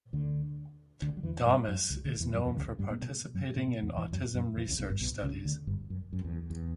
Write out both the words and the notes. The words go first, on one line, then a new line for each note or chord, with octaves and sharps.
Domus is known for participating in autism research studies.
D2 D3
D2 D3
F#3
E2 E3
G2 G3
F#2 F#3
C#2 C#3
D2 D3
E2 E3
F#2 F#3
E2 E3
C#2 C#3
G2 G3
A#2 A#3
B2 B3
F#2 F#3
A#2 A#3
B2 B3
E2 E3
E2 E3
F#2 F#3
F#2 F#3
E2 E3
C#2 C#3
B1 B2
G1 G2
B1 B2
C#2 C#3
D2 D3
G1 G2
F#2
F#2
E2
E2